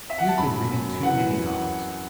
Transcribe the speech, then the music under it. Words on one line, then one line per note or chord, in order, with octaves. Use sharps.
You've been readin' too many novels.
E5
F#5
A5
F#2 B5
F#2
E3 F#5